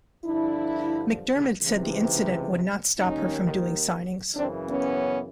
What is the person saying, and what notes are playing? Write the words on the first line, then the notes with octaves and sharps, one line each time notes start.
McDermid said the incident would not stop her from doing signings.
G2 D3 F3 D4 E4
C#2 C3 E3
D#2 D#3 C#4 D#4
F#2 C#3 E3 C4 D4
B3 C#4